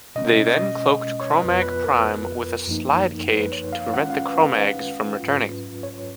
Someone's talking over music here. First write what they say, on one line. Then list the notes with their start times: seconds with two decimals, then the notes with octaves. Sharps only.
They then cloaked Kromagg Prime with a Slidecage to prevent the Kromaggs from returning.
0.15 B2 G#3 C#4 D#5
0.47 D#5
1.21 C#5
1.41 F2 F3 B3 F4 B4
1.62 B4
1.84 A#4
2.67 F#2 F3 A#3 D#4
3.30 B4
3.52 C#5
3.73 F5
3.93 D#3 G#3 C#4 F4 F#5
4.10 F5
4.25 B4
4.41 B4
5.20 G#2 F#3 C#4 F4
5.83 C#5